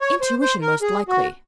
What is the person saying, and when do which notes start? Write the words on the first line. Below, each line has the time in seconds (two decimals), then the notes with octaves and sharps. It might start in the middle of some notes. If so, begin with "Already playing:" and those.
'Intuition, most likely.'
0.01 C#5
0.21 C5
0.41 C5
0.61 A#4
0.81 G#4
1.08 F#4